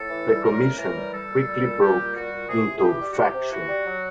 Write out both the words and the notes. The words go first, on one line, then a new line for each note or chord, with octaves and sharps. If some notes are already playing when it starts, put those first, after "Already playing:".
The commission quickly broke into factions.
Already playing: A2 A4
E3
G3
A2 A#4
A2
E3 A#4
G3
G3 A4
A#2
G3
A#2
G3 G4
A#2
G3 F#4
A#2
C3 G#4
C3
G#4
E3 G4
G3
F#4
C3 G4
C3
E3 F#4
G3
F#3